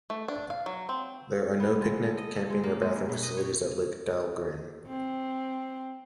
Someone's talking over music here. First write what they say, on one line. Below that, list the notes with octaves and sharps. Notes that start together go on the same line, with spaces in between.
There are no picnic, camping or bathroom facilities at Lake Dahlgren.
A3
D4
F5
F#3
C4
B3
G#3
A4
D#5
A4
G#3
A#3
G#3
G2
B2
D#5
C#5
C4